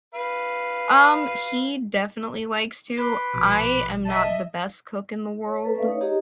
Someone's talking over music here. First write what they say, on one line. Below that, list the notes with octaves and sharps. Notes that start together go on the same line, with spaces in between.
Um, he definitely likes to, I am not the best cook in the world.
B4 F5
B4 C6 D6
A#1 B2
D#5 E5 A5
C#5
A4 B4 C5 A#5
A3 C#4 B4 D5 E5 F5
D#4 C#5
D#4 G4 G#4 D#5 A#5